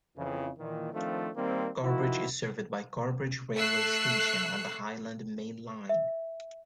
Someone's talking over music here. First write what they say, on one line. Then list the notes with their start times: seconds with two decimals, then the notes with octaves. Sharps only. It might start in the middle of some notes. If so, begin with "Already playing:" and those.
Carrbridge is served by Carrbridge railway station on the Highland Main Line.
0.17 F2 C#3 E3
0.59 A#2 D#3 E3
0.93 D#3 F3 A3 C4 D4 F4
1.35 D#3 G3 A#3 C4
1.83 D#3 F3 E4 F#4
3.54 A3 C#6 E6 F#6 C7
5.89 E5